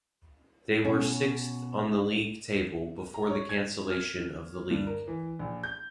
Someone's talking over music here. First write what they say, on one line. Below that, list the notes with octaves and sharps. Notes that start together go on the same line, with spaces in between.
They were sixth on the league table before the cancellation of the league.
B2 C#4
A#5
C#5
G#6
F6
G2
A#4
E3
A#1
G6